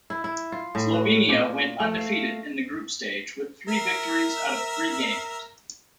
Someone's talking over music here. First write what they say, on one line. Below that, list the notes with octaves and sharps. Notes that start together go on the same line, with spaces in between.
Slovenia went undefeated in the group stage with three victories out of three games.
E4
E4
F4
A2
F#4
A#2
A3
F5
A#4 E5